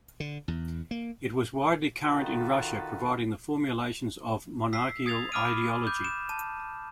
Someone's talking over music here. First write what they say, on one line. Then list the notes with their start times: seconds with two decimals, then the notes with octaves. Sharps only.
It was widely current in Russia providing the formulations of monarchical ideology.
0.20 D3
0.48 E2
0.91 A#3
2.05 D#3 F4 F#4 A4 B4
4.73 E6 B6 C7
5.06 D#6 G#6 A6 F7
5.32 B5 D6 D#6 F6 D7 D#7
5.87 D6 G6
6.04 E7
6.29 A5